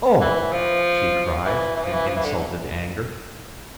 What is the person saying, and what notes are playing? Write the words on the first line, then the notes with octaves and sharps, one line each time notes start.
"Oh!" she cried, in insulted anger.
E3
F3
E3
E3
F3
E3
F3
E3
D3